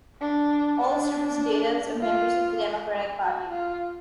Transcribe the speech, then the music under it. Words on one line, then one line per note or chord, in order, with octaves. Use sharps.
All its representatives are members of the Democratic Party.
D4
D4
F4
F#4
F4